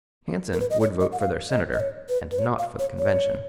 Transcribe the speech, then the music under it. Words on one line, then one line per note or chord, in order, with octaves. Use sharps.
Hansen would vote for their senator and not for the convention.
A#4
B4
D#5
C#5
D#5
F#5
F5
D#5
D#5
C#5
B4
B4
C#5
F5
C#5
C#5